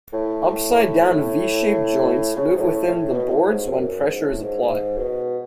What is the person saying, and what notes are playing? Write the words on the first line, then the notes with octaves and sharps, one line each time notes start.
Upside-down V-shaped joints move within the boards when pressure is applied.
A2
C#3
G#2
A2
A2
B2
A2
G#2
F#2
F#2
G#2
A2
G#2
G#2
B2